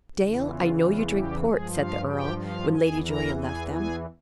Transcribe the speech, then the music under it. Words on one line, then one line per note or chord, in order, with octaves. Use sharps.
"Dale, I know you drink port," said the earl when Lady Julia left them.
E2 C#3 E3
F4
F4
G3 G4
G2 F3 G#3 G#4
F4 F5
G4 G5
F4 F5
E2 E3 G#4 G#5
A#4 A#5
G#4 G#5
G#4 G#5